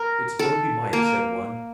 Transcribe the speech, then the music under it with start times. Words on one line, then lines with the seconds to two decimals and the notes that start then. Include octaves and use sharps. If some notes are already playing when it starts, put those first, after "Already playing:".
"It's Dopy Mike," said one.
Already playing: A#4
0.39 A4
0.93 A#3